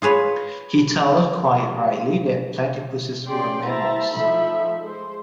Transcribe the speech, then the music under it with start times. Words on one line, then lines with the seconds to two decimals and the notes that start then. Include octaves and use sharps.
He thought, quite rightly, that platypuses were mammals.
0.02 F4 G#4 B4 C#5
3.25 C#4 G4 G#4 D5 G5 C6
3.64 E4 C5 E5 A5 A#5
4.14 F3 A3 D#4 A4 E5 B5
4.83 G#3 C5